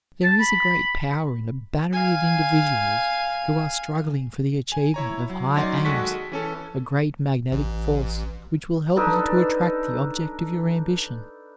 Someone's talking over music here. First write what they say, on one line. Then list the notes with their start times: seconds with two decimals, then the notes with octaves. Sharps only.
There is a great power in a battery of individuals who are struggling for the achievement of high aims, a great magnetic force which will help you to attract the object of your ambition.
0.24 A5
0.40 B5
1.92 F5 G#5
4.72 G#5
4.94 E4 C#5 A#5
5.30 F#3
5.56 F#3 C#4 D#4 D5 C6
5.85 D#2 G#3 F#4 A4 C#6 B6
6.32 E3 C#4 A4
7.52 A1
8.96 D4 D#4 A4 B4